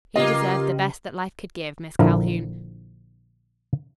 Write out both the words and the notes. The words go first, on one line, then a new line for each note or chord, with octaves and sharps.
"He deserved the best that life could give, Miss Calhoun."
C#3 A#3 C#4 F4 G4 B4 D#5
A#1 D3 F3 E4 A#4